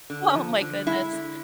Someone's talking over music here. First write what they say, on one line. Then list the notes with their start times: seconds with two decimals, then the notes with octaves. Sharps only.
Oh my goodness.
0.10 D3
0.35 F3
0.61 D3
0.86 G#3 E4
1.13 D3